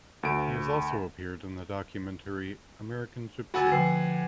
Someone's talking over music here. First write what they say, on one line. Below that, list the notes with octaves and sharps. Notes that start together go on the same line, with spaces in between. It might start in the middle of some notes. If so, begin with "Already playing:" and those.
He has also appeared in the documentary American Gypsy.
D2 D7
D2 F#4 F#5 G#5 B5 E6 A6
D3 F3 B4 G5 C7